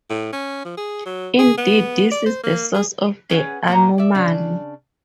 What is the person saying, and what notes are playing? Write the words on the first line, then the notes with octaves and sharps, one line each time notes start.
Indeed, this is the source of the anomaly.
A2
C#4
F3
G#4
F#3
G#4
B3
D5
C5
A#3
G#4
C#4 G#4 B4 C#5 F#5
A#2 A#3 B3 G4 F#5 A#5
D5 E5
C#3 D4